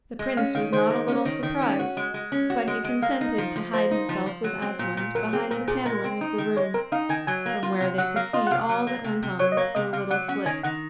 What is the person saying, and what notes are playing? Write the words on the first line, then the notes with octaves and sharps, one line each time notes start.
The prince was not a little surprised, but he consented to hide himself with Asmund behind the panelling of the room, from where they could see all that went on through a little slit.
G#3
C#4 F5
D#3 F5
D#3 C5
G#3
C#4
D#3
D#3
C#4
F#4
G#3
G#3
C#4
F#4
G#3
G#3
A#3 F5
D#4
F3
F3
A#3 C5
D#4
F3
F3
F#3
C4
A#2
A#2
F#3 A#4
C4 G#4
A#2 A#4
A#2 G#4
G#3 A#4
C4
D#4
D#3
G#3 C#5
C4 A#4
D#4 F5
D#3 G#5
F#3 G#5
A#3
F4
C3
F#3 F#5
A#3 F5
F4 D#5
F#5
C3 F5
F#3
A#3
C3
C3
F#3 C#5
D#5
A#3 C#5
C3 D#5
C3 F5
F#3 F#5
C#4 F#5
D#3 G#5
D#3 F#5